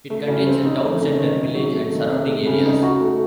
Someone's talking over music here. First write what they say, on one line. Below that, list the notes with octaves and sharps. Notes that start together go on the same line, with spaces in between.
It contains the town center village and surrounding areas.
A3
C#3
C4
D#4
A3
C#3
D#3
C3
F#3
A3
D#3
C3
A3
C#3
D#4
F#4
A3